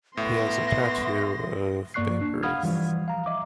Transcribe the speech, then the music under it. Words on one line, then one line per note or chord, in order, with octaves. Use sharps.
He has a tattoo of Babe Ruth.
A2 B3 E5 C6 A#6
G2 A#3 D5 C#6 F#6 C7
D4
F5 F#5 B5 D#6 F6 G#6
E3 F3 G3
F5 A#5
D#5 E5 D6